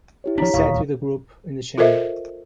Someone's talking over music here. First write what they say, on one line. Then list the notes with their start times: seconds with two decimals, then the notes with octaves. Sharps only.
He sat with the group in the chamber.
0.24 E4 G4 C#5
0.38 F3 D4 C#5 A#5 B6
0.54 D#1 D2 F5 C#6 D#6
1.78 F4 A4 A#4 C5 D#5 E5